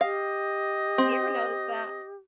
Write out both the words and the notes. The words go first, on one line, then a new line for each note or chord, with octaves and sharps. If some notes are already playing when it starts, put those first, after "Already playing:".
Have you ever noticed that?
G4 D#5 F5
C4